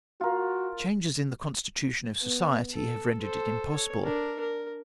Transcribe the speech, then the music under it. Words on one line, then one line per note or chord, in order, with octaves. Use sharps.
Changes in the constitution of society have rendered it impossible.
F4 F#4 A#4
B3
A4
A4 C5
C#5
D4 A#4
A#4